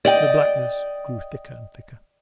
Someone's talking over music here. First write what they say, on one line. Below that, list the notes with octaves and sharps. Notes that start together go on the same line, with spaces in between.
The blackness grew thicker and thicker.
D5 D#5 G5